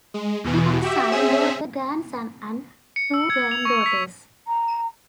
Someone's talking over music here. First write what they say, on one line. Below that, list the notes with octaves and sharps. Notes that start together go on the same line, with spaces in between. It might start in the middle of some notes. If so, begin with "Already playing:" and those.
He had a son, daughter, grandson and two granddaughters.
G#3
E2 B2 E3
F#4 G4 E5
C4 C#4 G#4 E5
C#7
E6
G#6
F7
C#6
B6
A#5